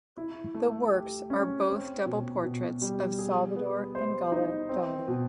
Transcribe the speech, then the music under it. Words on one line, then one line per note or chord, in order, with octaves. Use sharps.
The works are both double portraits of Salvador and Gala Dali.
E4
A3
G4
C#4
C4
B2
B2
G3
G#4
B3
C5
D#4
C4
B2